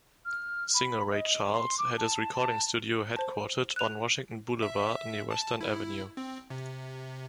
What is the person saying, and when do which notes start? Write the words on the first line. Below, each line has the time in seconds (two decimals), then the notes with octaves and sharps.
Singer Ray Charles had his recording studio headquartered on Washington Boulevard near Western Avenue.
0.25 F6
0.74 B5
1.11 D#5
1.49 C6
1.78 D6
1.97 A5
2.33 A5
3.16 C5 A5
3.76 F#6 F7
4.62 E5
5.31 A5
5.61 E4
6.17 C4
6.50 C3